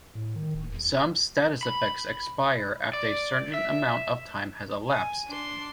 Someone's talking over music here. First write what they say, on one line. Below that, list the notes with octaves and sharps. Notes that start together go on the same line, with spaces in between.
Some status effects expire after a certain amount of time has elapsed.
A2
D#3
D1
E2
B5
D5
E5
G#5
D4 C6